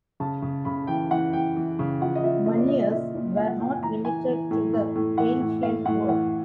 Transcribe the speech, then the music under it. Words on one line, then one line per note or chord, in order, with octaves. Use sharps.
Moneyers were not limited to the ancient world.
C#3 A5
C#3
C#3 B5
E3 G5
E3 F#5
E3 G5
E3
C#3
F3 F#5
D#5
F3 E5
A#2 D#5
D5
A#2 D#5
E5
A#2 E5
A#2
F3 F5
F#5
A#2 G5
G#5
E3 A#5
E3 G#5
E3
A2
A2
A2
E3 F#5
A2
A2 F5
A2 F#5
E3 F#5